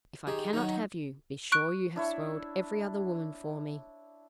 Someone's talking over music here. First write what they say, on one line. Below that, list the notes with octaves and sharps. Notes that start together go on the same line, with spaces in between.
If I cannot have you, be sure you have spoiled every other woman for me.
D#3 G4 G#4
D#3 F#3 D#4
C#6 F#6 D7
D4 E4 C#5